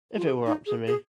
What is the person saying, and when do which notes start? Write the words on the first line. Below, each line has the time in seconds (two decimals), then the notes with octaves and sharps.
If it were up to me.
0.15 F4
0.25 G#4
0.45 D#4
0.66 G#4
0.87 G#4